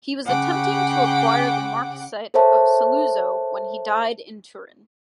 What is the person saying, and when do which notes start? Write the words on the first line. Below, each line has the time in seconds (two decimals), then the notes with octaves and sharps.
He was attempting to acquire the marquisate of Saluzzo when he died in Turin.
0.24 C#3 F#5 G5 D6
2.34 A4 A#4 C5 C#5 E5 A5